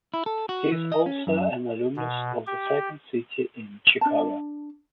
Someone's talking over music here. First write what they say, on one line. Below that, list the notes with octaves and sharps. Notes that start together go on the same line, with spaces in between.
He is also an alumnus of The Second City in Chicago.
E4
A4
F#4
E3
D#5
C#4
F#2
B2
G4
D4 A5